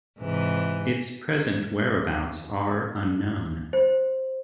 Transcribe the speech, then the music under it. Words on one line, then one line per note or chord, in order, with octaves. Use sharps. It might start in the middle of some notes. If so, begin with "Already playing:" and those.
Its present whereabouts are unknown.
G#2 C3 E3
C5